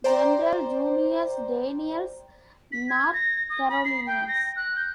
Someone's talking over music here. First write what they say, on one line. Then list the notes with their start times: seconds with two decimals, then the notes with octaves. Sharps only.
General Junius Daniel's North Carolinians.
0.04 C5 D5 G5 A#5
2.72 B6
2.89 G#6
3.13 A#6
3.50 D#6
3.69 B5
3.85 C7
4.06 G5
4.28 A#6
4.56 F#6
4.76 G6